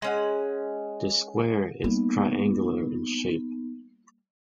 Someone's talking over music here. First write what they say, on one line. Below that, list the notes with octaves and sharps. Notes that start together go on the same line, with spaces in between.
The square is triangular in shape.
G#3 C#4 F#5
G3 A#3 B3 D#4